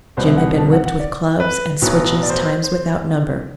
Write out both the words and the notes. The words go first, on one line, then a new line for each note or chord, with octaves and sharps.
Jim had been whipped with clubs and switches times without number.
C2 B2 G3 B3 C5
E5
F#5
A5
F#5
F#5
D5
B4
B1 A2 F#3 B3
D5
C5
B4
C5
C5